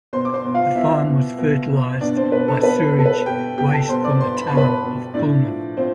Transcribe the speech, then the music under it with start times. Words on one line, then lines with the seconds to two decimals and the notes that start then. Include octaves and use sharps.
The farm was fertilized by sewage waste from the town of Pullman.
0.13 B2 C5 C6
0.25 D6
0.34 C5 C6
0.44 B2
0.54 F4 F5
0.75 B2 E4 E5
1.07 B2
1.38 B2
1.69 B2
2.01 B2 D4 D5
2.17 C4 C5
2.32 B2 B4
2.48 A4
2.63 B2 B4
2.84 A4
2.95 B2 A4
3.06 B4
3.26 B2 G4 G5
3.57 B2 G4 G5
3.73 A4 A5
3.89 B2 C5 C6
4.04 D5 D6
4.20 B2 C5 C6
4.37 B5
4.47 B2 A5
4.57 B4 B5
4.84 B2
5.14 A2 D4 D5
5.45 F3
5.77 F3 C4 C5